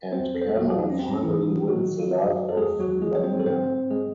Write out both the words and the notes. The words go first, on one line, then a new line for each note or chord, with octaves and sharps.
And Kamal finally wins the love of Lamia.
C4 C5
E2
A4
C5
E2 A3 A4
F#3 F#4
F#3 D#4
C#4
C4
G#2 C#4
E3 E4
D#3
D#3 F#3 F#4
F#3
F#2
A4
E2 G#3 G#4
F#3 F#4
D#3
G#3 G#4
F#3 C#5
C4 C5
A4
G#2 C4 C5
G#2
G#3 G#4